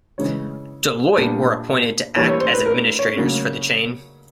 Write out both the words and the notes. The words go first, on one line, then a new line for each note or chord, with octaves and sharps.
Deloitte were appointed to act as administrators for the chain.
C#3 E3 G#3 C#4 C#5
A#2 G3 B3 D4
E3 G3 A#3 C#5
C#5
C5
B4
A#4
C#5
C#3 F#3 A#3 C#4